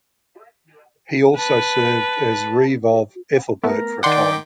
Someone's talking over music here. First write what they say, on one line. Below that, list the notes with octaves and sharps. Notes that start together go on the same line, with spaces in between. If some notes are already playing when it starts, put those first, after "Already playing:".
He also served as reeve of Ethelbert for a time.
B4 A5
A3 B3 A#4
D#3 D5 F#5 G5 C6 D6